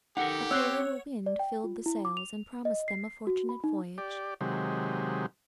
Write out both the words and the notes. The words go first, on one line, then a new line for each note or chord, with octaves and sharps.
A favorable wind filled the sails, and promised them a fortunate voyage.
D#4 G4 A4 A#4 F#5
C4 C5 C#5 E6 F#6
D5
G5
F4
E4
D6
F7
D#5
C7
F#4
B5
D#4
G4 D5
C3 D#3 F#3 G#3 G4